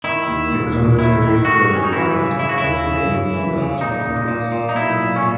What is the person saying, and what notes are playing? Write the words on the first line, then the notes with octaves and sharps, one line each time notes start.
The commentary throws light on many knotty points.
D#3 E4
D#2
D#2
D#2
D#3 E4
D#3
D#3 F#4
D#3
C#4
D#4
E3 E4
C#3
C#3 E4
F#4
E4
C#3
C#3
F#2
E3
C#3
A#2 D#4
A#2
A#2
A#2
D#4
B1 E4
A#2
C#4
A#2